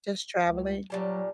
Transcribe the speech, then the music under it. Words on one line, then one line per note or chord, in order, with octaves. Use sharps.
Just traveling?
C#2
A#2 F#3 G3 A5